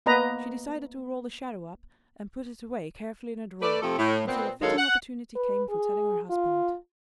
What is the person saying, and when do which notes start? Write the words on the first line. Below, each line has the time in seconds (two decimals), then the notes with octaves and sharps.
She decided to roll the shadow up and put it away carefully in a drawer, until a fitting opportunity came for telling her husband.
0.06 A#3 B3 B4 D#5 A#5
3.61 A3 A4 B4 D5
3.81 C3 F3 A3 C4 A4
3.98 A2
4.26 A#2 B3 C4
4.61 F#2 D#3 G#3 A4 C#5 F5
4.77 F#5
5.35 B4
5.69 G#4
6.30 F4